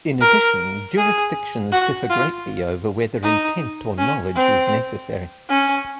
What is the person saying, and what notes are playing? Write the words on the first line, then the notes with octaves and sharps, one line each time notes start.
In addition, jurisdictions differ greatly over whether intent or knowledge is necessary.
A#4
G#4
F#4
F4
D#4
C#4
C4
C#4